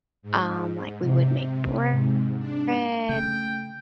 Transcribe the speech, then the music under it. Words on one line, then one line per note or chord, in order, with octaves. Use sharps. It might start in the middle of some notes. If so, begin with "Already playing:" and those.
um, like we would make bread,
G#2
C3
G#2
D4
C#3 A3 G5